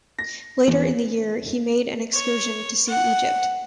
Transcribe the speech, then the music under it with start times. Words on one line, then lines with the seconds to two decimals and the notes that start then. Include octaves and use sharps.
Later in the year, he made an excursion to see Egypt.
0.19 A#6
0.67 E2
2.14 C#5
2.87 F#5